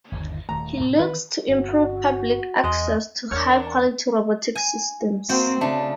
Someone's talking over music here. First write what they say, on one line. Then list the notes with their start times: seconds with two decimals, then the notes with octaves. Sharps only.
He looks to improve public access to high quality robotic systems.
0.12 G1 D#2
0.49 D#1 D#3 A3 A#5
0.80 G#2 B2
0.99 D#3 E3 C4 B4
1.49 G1 C#4 F#4
2.64 E2 G#3 D#5
3.31 E2 D4 A#4 C#5 C#6 F6
4.55 G#5
5.29 A#3 C4 F#4 G5
5.61 C#3 A3 D4